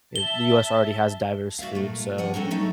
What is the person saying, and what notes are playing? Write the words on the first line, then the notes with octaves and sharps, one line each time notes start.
eh, the US already has diverse food, so,
E5 A5 G7
F#4 D5 E5 F5
A#2 A3
F4
F3 F#5 G#5
C4 C#4 A4 A#4
F#3 A3 D#4